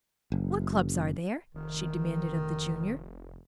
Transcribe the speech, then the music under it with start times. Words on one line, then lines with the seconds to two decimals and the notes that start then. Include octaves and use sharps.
"What clubs are there?" she demanded of the Junior.
0.32 F#1
1.55 F1 D#3